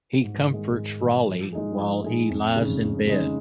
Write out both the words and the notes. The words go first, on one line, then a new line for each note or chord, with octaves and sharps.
He comforts Raleigh while he lies in bed.
G#2
D#3
G#3
G#2
D#3 G#3
F3
G#3 D#4 G#4
F3
G#3 D#4 G#4
F2
C#3 G#3 D#4
F2
C#3 G#3 D#4